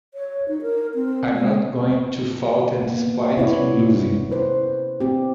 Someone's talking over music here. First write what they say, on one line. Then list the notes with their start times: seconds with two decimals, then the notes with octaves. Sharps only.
I'm not going to falter despite losing.
0.14 C#5
0.48 D#4
0.62 A#4
0.95 C4
1.34 G#3
2.79 A#3 B3
3.37 C3 B3 C#4 E4 C#5 D5
4.31 E4 B4 C5
5.00 C4 G4